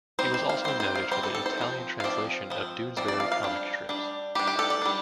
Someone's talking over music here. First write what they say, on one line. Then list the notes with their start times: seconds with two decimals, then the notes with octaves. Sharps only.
He was also noted for the Italian translation of "Doonesbury" comic strips.
0.19 G3 C4 C5
0.34 C5
0.49 F5
0.64 G3 C4 C5
0.80 C5
0.95 F5
1.11 G3 C4 C5
1.23 A4
1.35 A4
1.46 C5
1.58 F3 C4
2.00 F5
2.04 F3 C4 D5
2.50 F3 C4
2.97 F3 C4 D5
3.08 D5
3.20 F5
3.32 F5
3.43 G3 D4
3.89 G3 D4
4.35 G3 D4 G4
4.47 G4
4.59 A4
4.70 D5
4.82 G3 D4